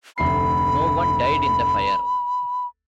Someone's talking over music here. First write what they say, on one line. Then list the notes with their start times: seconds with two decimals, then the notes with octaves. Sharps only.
No one died in the fire.
0.18 F1 D2 B5 C7